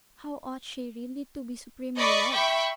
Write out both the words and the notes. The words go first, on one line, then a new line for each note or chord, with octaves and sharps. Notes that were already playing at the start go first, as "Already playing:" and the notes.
How ought she really to be supremely loved!
D5 D#5 B5 C#6 D6
E5 G5 B5 C#6